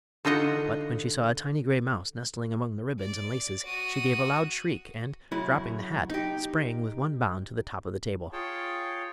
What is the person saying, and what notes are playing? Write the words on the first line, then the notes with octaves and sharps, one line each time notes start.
But when she saw a tiny gray mouse nestling among the ribbons and laces she gave a loud shriek, and, dropping the hat, sprang with one bound to the top of the table.
D3 D#4 F4 D#5 F#5
D5
F#4 D#6
F#2 C#3 E4
D#4 G4
F4 G#4 C#5 G5 A5